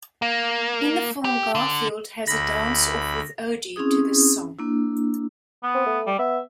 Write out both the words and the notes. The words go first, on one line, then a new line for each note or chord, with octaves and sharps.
In the film, Garfield has a dance off with Odie to this song.
A#3
G4
D3
D2 B5 A#6
C4 C#4 E4 G#4 D#6
A#3 D4 E4
B3
C4
A3
G3
B3 E5